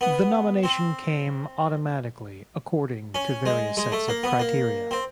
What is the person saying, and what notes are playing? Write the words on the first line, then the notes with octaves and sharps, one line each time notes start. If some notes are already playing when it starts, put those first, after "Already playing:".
The nomination came automatically according to various sets of criteria.
B3
C4
C#4
G#3
G#3
A3
A#3
B3
A#3
C4